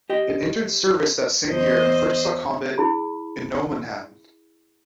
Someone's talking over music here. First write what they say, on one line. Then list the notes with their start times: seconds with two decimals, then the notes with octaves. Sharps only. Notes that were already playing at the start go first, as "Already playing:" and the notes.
It entered service that same year and first saw combat in Nomonhan.
0.10 G4 D#5 G5
1.51 E2 C5 D#5
2.78 E4 G#4 B5